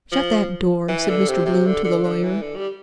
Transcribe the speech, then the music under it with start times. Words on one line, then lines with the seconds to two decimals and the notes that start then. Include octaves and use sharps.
"Shut that door," said Mr. Bloom to the lawyer.
0.12 F3
0.88 E3
1.09 D3
1.28 C3
1.46 C3
1.66 D3
1.84 D3
2.04 D3
2.24 E3
2.42 D3
2.56 G3